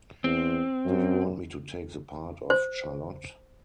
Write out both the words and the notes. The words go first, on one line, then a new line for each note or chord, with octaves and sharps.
Do you want me to take the part of Charlotte?
E2 C4
F#2
C5